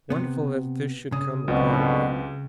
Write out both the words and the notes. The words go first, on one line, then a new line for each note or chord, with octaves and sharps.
Wonderful that this should come upon me!
C3 B3
C#3 D#6
C#2 B2 D3 F#3 C4